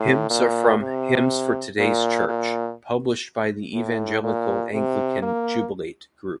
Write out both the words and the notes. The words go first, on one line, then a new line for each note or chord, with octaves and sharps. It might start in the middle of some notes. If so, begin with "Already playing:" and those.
Hymns are from "Hymns for Today's Church", published by the evangelical Anglican "Jubilate" group.
Already playing: A2
A#2
C3
A#2
A#2
A2
A#2
C3
A#3